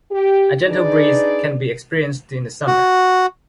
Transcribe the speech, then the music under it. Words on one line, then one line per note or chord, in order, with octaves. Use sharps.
A gentle breeze can be experienced in the summer.
G4
D4 D#4 G#4 B4 D5
F#4